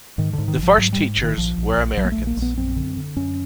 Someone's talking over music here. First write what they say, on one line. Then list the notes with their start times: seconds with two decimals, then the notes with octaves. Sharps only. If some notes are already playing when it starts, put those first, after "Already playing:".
The first teachers were Americans.
0.18 G#2 D#3
0.33 D3
0.38 G#2
0.48 D#3
0.58 G#1 F3
0.78 G#2 F#3
0.93 G3
0.98 G#2
1.17 G#1
1.23 D#3
1.38 A#1 F3
1.57 A#1
1.77 A#1
1.97 A#1 F#3
2.05 A#3
2.12 A3
2.17 A#1
2.27 A#3
2.37 A#1
2.42 B3
2.57 F#2 C4
2.77 D3
2.97 D3
3.16 F#2 C#4